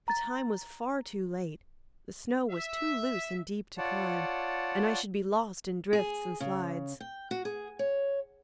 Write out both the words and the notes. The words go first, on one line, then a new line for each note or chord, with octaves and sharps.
The time was far too late, the snow was too loose and deep to climb, and I should be lost in drifts and slides.
A#5 A6
E5
F4 C#5 D5 F#5 A5
G#4
C#3
G5
F#4
G#4
C#5